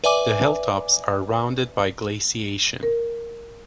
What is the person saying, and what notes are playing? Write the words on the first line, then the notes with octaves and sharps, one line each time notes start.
The hilltops are rounded by glaciation.
B4 D5 E5 G#5 D6
A#4